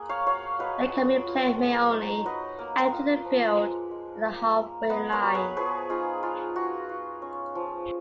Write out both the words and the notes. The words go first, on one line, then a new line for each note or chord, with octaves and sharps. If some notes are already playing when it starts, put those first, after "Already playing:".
The incoming player may only enter the field at the half-way line.
Already playing: A#3 G#4
C#5 F5
F#3 C#5 F5
F#3 B4 D#5
F4
F4
G#3
D#4
F#3 B4 D#5
A#3
F4
F3
G#3
G#3
A#3
A#3
B3 B4 D#5
A#4 C#5
F#3
G#4 B4
F3 G#4 B4
D#4 F4 G#4
G#3 F4
F4 F#4
F4
C#4
F3